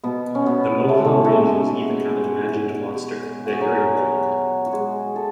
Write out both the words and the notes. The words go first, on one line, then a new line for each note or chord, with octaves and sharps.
The Moehau Ranges even have an imagined monster, the Hairy Moehau.
B2 B3
C#4
B2 B3
A3
G#3
A2 A3
A3
G#3
F#4
G#4
F#3 F#4
F#4
G#3 G#4
A4